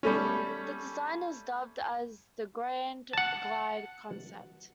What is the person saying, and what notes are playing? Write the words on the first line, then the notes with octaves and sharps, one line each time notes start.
This design is dubbed as the "Grand Glide" concept.
G3 A3 C#4
F#5 A5